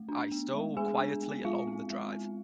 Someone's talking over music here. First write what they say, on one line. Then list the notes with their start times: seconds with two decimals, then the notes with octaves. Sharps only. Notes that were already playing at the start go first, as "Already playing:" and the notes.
I stole quietly along the drive.
Already playing: A3
0.09 D4
0.32 B3
0.54 G#3
0.77 G#3 G#4 G#5
0.99 D4
1.22 B3
1.45 G#3 F4 F5
1.67 C4
1.90 G#3
2.13 C4